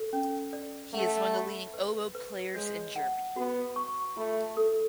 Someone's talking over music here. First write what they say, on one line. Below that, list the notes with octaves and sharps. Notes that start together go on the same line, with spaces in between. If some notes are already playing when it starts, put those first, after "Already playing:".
He is one of the leading oboe players in Germany.
Already playing: A4
C#4
D5
A3 F#5
B5
B4
B4
G#3 C#5
F#5
B3 F#4
C#6
A3 F4
A4